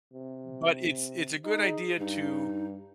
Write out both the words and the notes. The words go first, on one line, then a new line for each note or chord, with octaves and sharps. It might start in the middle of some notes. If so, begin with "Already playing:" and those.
But it's it's a good idea to
C3
D#4 G#4
G2 D#4